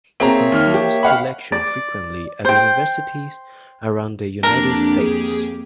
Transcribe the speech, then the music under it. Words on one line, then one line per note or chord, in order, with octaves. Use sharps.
He continues to lecture frequently at universities around the United States.
A#3 C4 G#4 C#5 E5 A#5
D#2 F6
G4
F5 F#5 B5
D5
C5 G5
F2 A#3 D4 G4 A#4
G#4